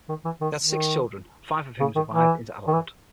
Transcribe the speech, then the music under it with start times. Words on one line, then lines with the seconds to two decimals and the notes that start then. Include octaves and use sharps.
They had six children, five of whom survived into adulthood.
0.09 D#3
0.25 E3
0.41 D#3
0.63 D#3
1.80 C#3
1.96 D#3
2.12 E3
2.68 D#3
2.73 E3